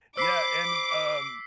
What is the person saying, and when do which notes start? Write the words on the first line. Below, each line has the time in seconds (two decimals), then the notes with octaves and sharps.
yeah, and, um
0.17 C5 B5 D6 E6 B6 C7